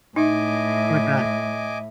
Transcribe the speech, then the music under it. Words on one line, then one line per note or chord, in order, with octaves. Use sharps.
Oh my god.
A2 D#4 D#5 E5 G#5 D6